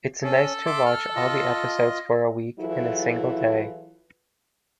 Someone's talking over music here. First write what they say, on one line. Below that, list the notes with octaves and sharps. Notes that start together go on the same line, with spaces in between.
It's nice to watch all the episodes for a week in a single day.
C#4 A4
E5 C6 D6
F6
F4 D#5
E3 F#3 E4 F4 G#4 A4